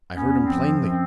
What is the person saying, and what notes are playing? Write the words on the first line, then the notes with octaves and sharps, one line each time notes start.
I heard him plainly.
E2 B3 C#4
F3 C4
F#2
C4